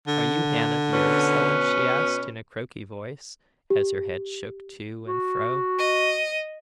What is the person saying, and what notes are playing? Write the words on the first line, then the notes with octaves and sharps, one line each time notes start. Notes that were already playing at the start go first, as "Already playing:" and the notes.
'Are you Hannah the herb seller?' she asked in a croaky voice as her head shook to and fro.
D3
B2 C#4 B4
G4
F#4
D#5